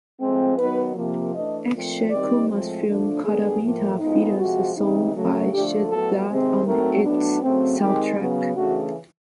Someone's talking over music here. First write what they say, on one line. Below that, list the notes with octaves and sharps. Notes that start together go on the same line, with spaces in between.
Akshay Kumar's film "Khatta Meetha" features a song by Shehzad on its soundtrack.
A2 F3 G#3 C4
D#3 F#3 B3 D#4 B4
C3 F3 A#3
E3 A3 D4 D#5
A#2 F3 A3 C4
D#3 G3 C4 D#4 D5
A2 F3 G#3 C4
D3 F3 A3 D4
D3 G3 B3 G#4
A2 F3 A#3
A2 F3 G#3 B3 D#4
C3 F3 G#3 F#4
C#3 E3 G3 C4 D#4
C#3 F#3 A3
D3 F3 A3 D4 G4
A2 F#3 B3 A4
C3 D#3 G#3 C4
A2 F#3 A3 C4 D#4 A#4
A2 F#3 B3 D4
C#3 F#3 A3 C4
D#3 G#3 C4 D#4 G4
C#3 F#3 B3
C#3 E3 A3 D4 F#4